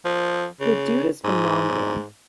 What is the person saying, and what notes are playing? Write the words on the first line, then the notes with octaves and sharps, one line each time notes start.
The dude is phenomenal.
F3
C#3
G#2